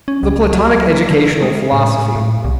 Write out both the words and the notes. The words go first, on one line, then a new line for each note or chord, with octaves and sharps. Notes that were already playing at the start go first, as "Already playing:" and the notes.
The Platonic Educational Philosophy.
C#4
C#2
F#3
D3
G#3
A2
A2
C2